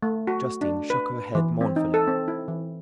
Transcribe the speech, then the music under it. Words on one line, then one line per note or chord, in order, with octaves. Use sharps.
Justine shook her head mournfully.
A3
F#4
D4
B4
E3
C4
D#4
A4
C4
E4
E3